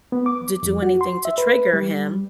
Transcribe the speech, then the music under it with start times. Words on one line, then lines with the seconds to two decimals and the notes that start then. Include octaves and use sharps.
d do anything to trigger him.
0.12 B3
0.26 D6
0.63 F2
0.82 F#4
1.01 C6
1.25 E5
1.38 B4
1.73 G3